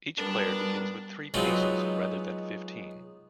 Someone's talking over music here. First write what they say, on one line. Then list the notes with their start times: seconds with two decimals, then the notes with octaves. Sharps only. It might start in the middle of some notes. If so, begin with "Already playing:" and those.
Each player begins with three pieces, rather than fifteen.
0.18 F#2 G3 B3 D4 A#4
1.34 F#3 G#3 B3 C4 D#4 F4